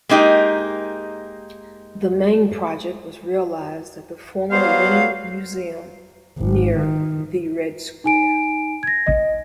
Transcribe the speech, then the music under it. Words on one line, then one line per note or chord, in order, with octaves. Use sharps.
The main project was realised at the former Lenin Museum, near the Red Square.
G#3 A#3 D#4 G4
F#3 G3 B3 B4 C5 F5
G#1
D#3
D#4 G#5 D7
G#6 A#6
D#5